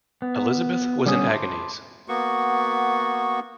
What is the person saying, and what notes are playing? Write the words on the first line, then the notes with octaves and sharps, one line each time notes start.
Elizabeth was in agonies.
B3
D3 G3 B3 C#4 D#6
A5 B5 C6 D6
A#3 B3 F#4 C#6